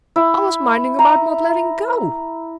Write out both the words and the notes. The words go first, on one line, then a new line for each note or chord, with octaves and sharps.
"I was minding about not letting go."
E4
A#5